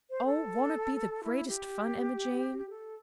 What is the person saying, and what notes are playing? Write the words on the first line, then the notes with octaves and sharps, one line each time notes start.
Oh! won't it be the greatest fun, Emma Jane?
C5
A4
E4
G4
G4
A4